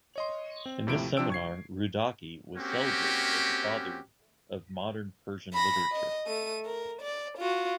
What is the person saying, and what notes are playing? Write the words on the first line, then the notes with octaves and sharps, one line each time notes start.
In this seminar, Rudaki was celebrated as the father of the Modern Persian literature.
C#5 D#5 C6
C4
D#2 A2 C3 F3 E4 D7
C3 F3 D4 G5 E6 D7
C#6 G#6 C7
A#3 C4 C#4 F#4 G4
B5 A#6
D#5
A3 D#7
A#4
D5
F4 F#4